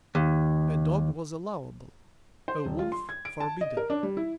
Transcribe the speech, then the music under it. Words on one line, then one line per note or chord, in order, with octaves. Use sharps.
A dog was allowable; a wolf forbidden.
D#2
C5
D#1
F4
C6
G#6
D7
A5
D#5
A#4
D4
G3
E4